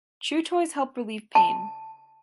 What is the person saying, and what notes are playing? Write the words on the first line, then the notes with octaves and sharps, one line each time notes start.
Chew toys help relieve pain.
A5